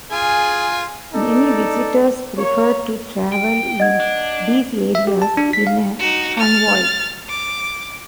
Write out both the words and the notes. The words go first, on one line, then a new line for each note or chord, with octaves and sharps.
Many visitors prefer to travel in these areas in a convoy.
F4 G#4 G#5
D#4 A4 D5
A#3 C#5
G5
D#5 F#5 G#6
D4
E5
G4
A5
D4
B6
F5
D#4 F#4
F6 A6
D6